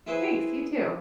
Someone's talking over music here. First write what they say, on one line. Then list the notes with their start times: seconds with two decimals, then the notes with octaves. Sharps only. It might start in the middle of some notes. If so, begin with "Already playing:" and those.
Thanks you too.
0.07 E4 G#4 B4 C5 E5